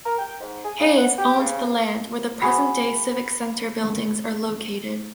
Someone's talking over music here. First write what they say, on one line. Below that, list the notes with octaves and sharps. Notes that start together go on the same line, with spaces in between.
Hayes owned the land where the present day Civic Center buildings are located.
A#4
G5
G#2
G#4
C#3
F#5
G4
C#3
A#3
F#4 G#4 B5